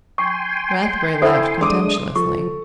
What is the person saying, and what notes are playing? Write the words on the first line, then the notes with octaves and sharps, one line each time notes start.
Rathbury laughed contemptuously.
G5 G#5 C6 C#6
E4 A4 C5 E5 E6
G#3 D4 C6 D6 D#6
F3 A4 C#6